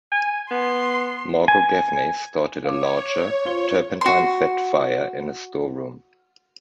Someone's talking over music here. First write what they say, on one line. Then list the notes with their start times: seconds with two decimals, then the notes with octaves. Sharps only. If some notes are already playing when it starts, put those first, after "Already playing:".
Margo Gaffney started a larger, turpentine-fed fire in a storeroom.
0.12 G#5
0.51 B3 C6
1.48 G#5
2.64 C#5 F5 D6
3.45 F4 C5 G7
4.01 F#4 C6